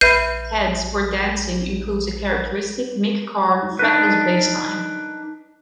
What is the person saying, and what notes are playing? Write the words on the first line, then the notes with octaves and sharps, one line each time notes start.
"Heads We're Dancing" includes a characteristic Mick Karn fretless bassline.
A#1 B4 E5 B5 G6 C7 D#7
D4 D#4 A#4 B4